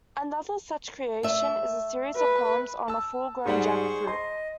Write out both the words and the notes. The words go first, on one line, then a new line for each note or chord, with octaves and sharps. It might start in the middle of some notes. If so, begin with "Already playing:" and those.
Another such creation is a series of poems on a full-grown jackfruit.
A3 E5
B4
A5 E6
G#2 G3 G#4 C5 F#5 C#6
D#5 C6